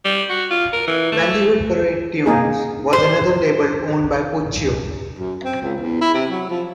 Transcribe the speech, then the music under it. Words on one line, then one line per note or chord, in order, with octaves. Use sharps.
Value Hit Parade Tunes was another label owned by Puccio.
G3
F#4
F4
A#4
E3
A3
A#3 D#4 G#4
C5
F#2
C4
C#2
E2
E4
C3
F#3
F3